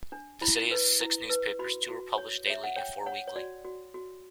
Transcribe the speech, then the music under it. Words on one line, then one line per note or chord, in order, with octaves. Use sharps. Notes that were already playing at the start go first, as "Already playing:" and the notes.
The city has six newspapers; two are published daily and four weekly.
D4
E4 B5
B4
E4
B4
F#4 B5
F#4
C#5
C#5 E5
F#5
C#5 G5
C#5 F#5
C#5
F#4 D5
F#4
F#4